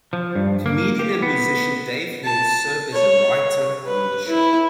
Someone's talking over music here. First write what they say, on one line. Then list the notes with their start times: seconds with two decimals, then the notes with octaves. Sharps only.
Comedian and musician Dave Hill served as a writer on the show.
0.13 F3
0.35 G2
0.66 A#3
0.99 G4
1.22 B3
2.24 A5
2.92 C#5
3.85 B4
4.28 E4